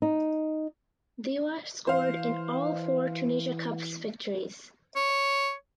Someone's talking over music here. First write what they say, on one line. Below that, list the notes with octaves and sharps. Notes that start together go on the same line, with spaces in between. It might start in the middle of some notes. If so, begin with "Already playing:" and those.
Diwa scored in all four Tunisia Cups victories.
D#4
E3 C5 F5
C#5